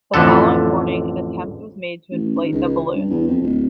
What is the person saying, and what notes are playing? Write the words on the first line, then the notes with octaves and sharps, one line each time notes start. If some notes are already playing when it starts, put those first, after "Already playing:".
The following morning an attempt was made to inflate the balloon.
A1 F2 D3 A4
A1
D#3
C#2
G2
E2
F2
D1